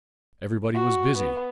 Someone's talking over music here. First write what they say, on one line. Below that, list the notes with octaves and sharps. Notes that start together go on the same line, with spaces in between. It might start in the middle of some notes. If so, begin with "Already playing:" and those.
Everybody was busy.
F#4
B3